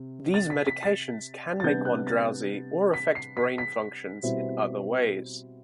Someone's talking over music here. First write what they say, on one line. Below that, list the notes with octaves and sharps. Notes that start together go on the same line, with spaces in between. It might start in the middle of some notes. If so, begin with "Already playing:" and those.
These medications can make one drowsy or affect brain functions in other ways.
Already playing: C3
A6
B6
B6
A6
A6
C3 G3 B3 D4 G6
F#6
A6
B6
C7
B6
B6
B2 G3 C4 E4